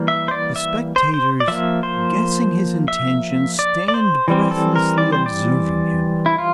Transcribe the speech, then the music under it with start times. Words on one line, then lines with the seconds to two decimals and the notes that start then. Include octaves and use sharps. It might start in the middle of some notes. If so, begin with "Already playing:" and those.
The spectators, guessing his intention, stand breathlessly observing him.
Already playing: E3 G3 A#3
0.08 E5
0.28 C5
0.31 D5
0.56 E5
0.96 C5
1.14 C5
1.40 D5
1.48 F3 A#3 E5
1.83 C5
2.88 E5
3.59 D5
3.88 D5
3.94 C5
4.28 E3 G3 C4
4.51 A4
4.76 A#4
4.98 D5
5.12 C5
5.26 D5
6.26 E4
6.38 F4